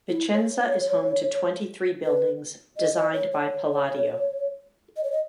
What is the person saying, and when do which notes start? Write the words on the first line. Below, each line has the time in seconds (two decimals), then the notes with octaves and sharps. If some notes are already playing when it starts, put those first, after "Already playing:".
Vicenza is home to twenty-three buildings designed by Palladio.
0.09 E4
0.33 C#5
2.04 B4
2.77 D#5
2.95 D#5
3.13 C#5
3.32 C#5
4.97 D#5
5.04 C#5
5.12 D#5